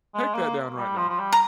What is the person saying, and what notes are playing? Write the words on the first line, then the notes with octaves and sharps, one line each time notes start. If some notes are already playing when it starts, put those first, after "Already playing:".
Take that down right now.
G#3
A#3
G3
F3
F3
G3
A#5